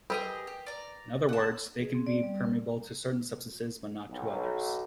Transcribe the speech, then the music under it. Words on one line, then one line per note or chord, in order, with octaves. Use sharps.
In other words, they can be permeable to certain substances but not to others.
G4 G#4 A#4 B4 D#5
G4
D5 A#5
F#5 A5
G#4
C4
D5
G3
A#4
B1